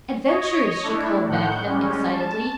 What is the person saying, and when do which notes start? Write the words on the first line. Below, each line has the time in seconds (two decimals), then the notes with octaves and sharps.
"Adventures!" she called back excitedly.
0.24 C#5 D#5
0.83 A3 D4 E4
1.26 A2 D#3 F#5 G6
1.66 G3 G#3 C#4
2.11 A5